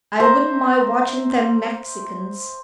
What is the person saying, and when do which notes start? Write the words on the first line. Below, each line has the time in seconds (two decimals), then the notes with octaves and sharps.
I wouldn't mind watching them Mexicans.
0.20 C5 E5 A#5